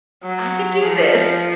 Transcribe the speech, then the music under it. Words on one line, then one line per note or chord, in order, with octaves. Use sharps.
"I can do this."
F#3
F3